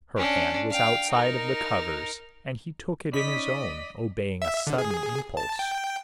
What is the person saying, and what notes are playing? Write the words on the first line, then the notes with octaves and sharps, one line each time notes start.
Her hand was outside of the covers and he took it in his own, obeying a sudden impulse.
C#4 D4
F5 G5
D#4 A#4
C#4 D#4 D5 D#5 B5 B6
E5
D3
G#4
A5
G5